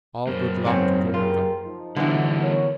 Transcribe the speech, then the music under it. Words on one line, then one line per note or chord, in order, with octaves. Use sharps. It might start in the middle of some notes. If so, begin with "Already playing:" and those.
All good luck go with them.
F#2 A#3 B3 G4 C5
G#2 F#3 C4
F4 G4 G#4 A#4
F3 D#4
D3 E3 G3 B3 F#4
F4 A#4 C#5